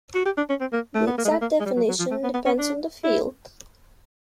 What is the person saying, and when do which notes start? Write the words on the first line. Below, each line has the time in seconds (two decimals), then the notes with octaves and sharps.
The exact definition depends on the field.
0.15 F#4
0.25 G4
0.37 D4
0.49 C#4
0.60 C4
0.73 A#3
0.95 A3
1.07 B3
1.18 A#3
1.25 G#3
1.31 A3
1.41 A#3
1.60 G#3
1.65 G3
1.76 F#3
1.89 F#3
1.99 F3
2.11 A3
2.23 B3
2.34 B3
2.46 C#4
2.58 D4
3.04 E4